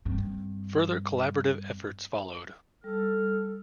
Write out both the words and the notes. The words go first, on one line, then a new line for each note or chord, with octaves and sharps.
Further collaborative efforts followed.
G2 C4
G3 A4 F6